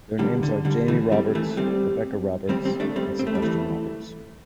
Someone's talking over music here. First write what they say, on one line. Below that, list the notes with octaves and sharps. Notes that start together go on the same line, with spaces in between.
Their names are Jamie Roberts, Rebecca Roberts and Sebastian Roberts.
D3 G3
D3
D3 G3
E3 A3
G3 C4
E3 A3
G3 C4
G3 C4
G3 C4
A3 D4
G3 C4
C4
A3
G3
E3 A3